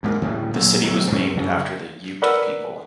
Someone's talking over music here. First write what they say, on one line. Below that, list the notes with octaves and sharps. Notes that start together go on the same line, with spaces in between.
The city was named after the Ute people.
D2 G#2 A#3
D2 A2 C#3 G3
A#2 F#3
D1 B2 F#3 A3
G2 C4 C#4
F#2 C#3
A#4 B4 D5 F#5 B5 E6